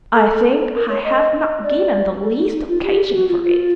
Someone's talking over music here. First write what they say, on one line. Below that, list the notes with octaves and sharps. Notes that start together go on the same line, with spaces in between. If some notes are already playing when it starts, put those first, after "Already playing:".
"I think I have not given the least occasion for it."
A4
A#4
C#5
D#5
D5
A4
D#4
D#4
F4
G4
G4
F#4
F4
F4